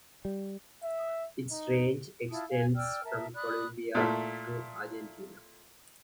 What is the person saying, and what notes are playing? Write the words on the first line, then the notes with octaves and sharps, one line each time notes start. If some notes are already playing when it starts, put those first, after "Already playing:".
Its range extends from Colombia to Argentina.
G3
E5
D#4
E4 F4 A5 D#6
F5 G#5
D5 G5 E6 F6
A#4 E5 A5
D5 B5 D#6 F#6
A#2 A3 E4